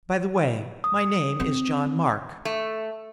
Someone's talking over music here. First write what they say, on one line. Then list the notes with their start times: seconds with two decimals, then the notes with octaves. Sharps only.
"By the way, my name is John Mark."
0.84 D#6
1.40 C4
2.45 A3